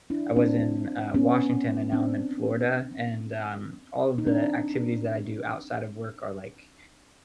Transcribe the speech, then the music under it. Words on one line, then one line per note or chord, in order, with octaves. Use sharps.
I was in, uh, Washington, and now I'm in Florida, and, um, all of the activities that I do outside of work are, like,
D4 E4
C4 D4
B3 C#4
C4 D4
D#4
C4 D4